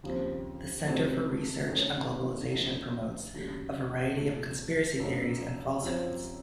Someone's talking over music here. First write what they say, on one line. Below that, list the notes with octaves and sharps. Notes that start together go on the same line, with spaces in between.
The Centre for Research on Globalization promotes a variety of conspiracy theories and falsehoods.
D#2 C#3 F3 C4
C#2 C3 F#3 A3 D#4
F#2 D#3 A3 C#4
C#3 F3 A3 D#4 F#4
D#2 C#3 F#3 A3
C2 A#2 A3
F#2 C#3 F3 A3 D#4
F#2 F3 C4 F4